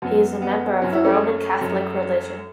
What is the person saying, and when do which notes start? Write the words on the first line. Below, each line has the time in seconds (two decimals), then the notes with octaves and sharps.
He is a member of the Roman Catholic religion.
0.02 F#2 F#3 B3
0.42 B3
0.82 F#2 F#3 C#4
0.93 E4
1.05 A3 C#4
1.61 F#2 F#3